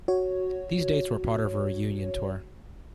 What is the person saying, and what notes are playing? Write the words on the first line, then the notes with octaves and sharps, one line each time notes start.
These dates were part of a Reunion Tour.
F#4 C#5